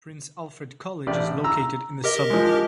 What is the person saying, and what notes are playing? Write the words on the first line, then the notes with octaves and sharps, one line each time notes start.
Prince Alfred College is located in the suburb.
A1 G4 D5
A#5 E6
G4 A#4 D#5
F3 G#3